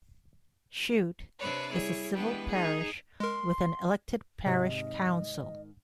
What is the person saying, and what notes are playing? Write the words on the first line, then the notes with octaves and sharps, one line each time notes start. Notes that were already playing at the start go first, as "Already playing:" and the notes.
Chute is a civil parish with an elected parish council.
C3 C4 D4 B4 C#5 D5
G3 E4 G#4 C#5
E3 G#3 B3 D4 G4 B4
D#4 G#4
G#3 A#4 C6
G#2 C3 D#3 D#5